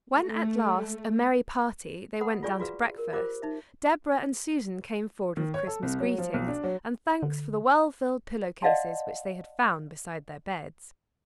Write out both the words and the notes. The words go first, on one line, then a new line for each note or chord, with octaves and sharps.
When at last, a merry party, they went down to breakfast, Deborah and Susan came forward with Christmas greetings, and thanks for the well-filled pillow-cases which they had found beside their beds.
A3
B4 F#5 B5 D#6
F4 G#4 D5 G#5 C#6
F4 F#4 G#4 B4 F5
A#4
F4 G4 A#4 C5 D6
D#4 E5
D#3
C#5
A4
C2
F#3
F3
B1
D4
F#3
D3
D5 D#5 F5 F#5 A5 C6